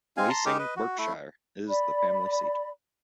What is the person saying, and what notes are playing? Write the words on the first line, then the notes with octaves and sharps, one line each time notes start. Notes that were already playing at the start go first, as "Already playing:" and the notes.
Wasing, Berkshire, is the family seat.
G#3 C4 F5 G#5
A5 A#5 C6
G#3 D#4 G4 A#4
B4 D#5
F#4
A3 E4
D5 B5